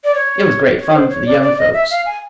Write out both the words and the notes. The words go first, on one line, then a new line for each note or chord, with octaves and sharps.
It was great fun for the young folks.
D5
C#5
C#5
C5
C#5
D5
D5
D#5
E5
F5
G#5